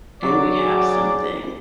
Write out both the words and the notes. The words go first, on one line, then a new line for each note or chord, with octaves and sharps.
and we'd have something,
F#3 D5
G#4